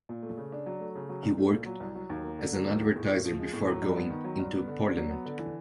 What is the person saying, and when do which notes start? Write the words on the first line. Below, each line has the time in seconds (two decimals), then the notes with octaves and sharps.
He worked as an advertiser before going into parliament.
0.09 A#2
0.23 A3
0.37 C#3
0.52 D4
0.66 F#3
0.80 A3
0.95 C#3
1.09 F#3
1.23 C2
1.37 A3
1.52 A#2
1.66 F#3
1.80 C2
1.95 F#3
2.10 D#2
2.24 A#3
2.39 D3
2.53 F#3
2.68 D#2
2.81 G#3
2.96 A2
3.09 A2
3.25 F3
3.39 G#3
3.53 A2
3.68 F#3
3.82 G2
3.97 B3
4.10 D#3
4.24 F#3
4.39 G2
4.53 B3
4.68 D3
4.82 D4
4.97 F#3
5.10 B3
5.26 D3
5.39 E3